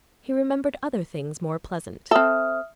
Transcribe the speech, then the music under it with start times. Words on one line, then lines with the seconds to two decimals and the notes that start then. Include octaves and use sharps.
He remembered other things more pleasant.
2.11 C4 A4 E5 D#6 F6